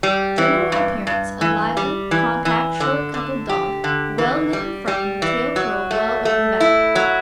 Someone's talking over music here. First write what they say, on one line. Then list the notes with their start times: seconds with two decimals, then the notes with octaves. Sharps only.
GENERAL APPEARANCE--A lively, compact, short coupled dog, well-knit in frame, with tail curled well over the back.
0.03 G3
0.38 E3
0.72 G2
1.07 G2
1.41 E3
1.77 G3
2.11 E3
2.45 E3
2.80 D3
3.14 D3
3.49 G4
3.84 D3
4.18 E3
4.53 G3
4.88 G3
5.22 E3
5.56 F#3
5.91 A3
6.25 A3
6.60 E4
6.95 F#3